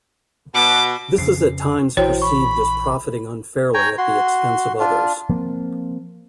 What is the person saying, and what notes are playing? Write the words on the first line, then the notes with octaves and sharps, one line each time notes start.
This is at times perceived as profiting unfairly at the expense of others.
B2 D6
F2 C#3 C7
A#1 E3 E4 F#4 C5 C#5 G5
B5 C#6
C#5 G5 G#5 A#5
F#4 C6
D4 F4
F3 A#3 C4